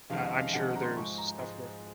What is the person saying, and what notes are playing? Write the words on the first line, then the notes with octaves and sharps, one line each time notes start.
uh, I'm sure there's stuff where
F2 C3 D#3 G#3 C#4 F5
D#5
F5
F2 C3 D#3 G#3 C#4 F#5
F#5
A#5
C6
G#2 F3 G#3 C#6
A#5
A#5
G#2 F3 G#3 G#5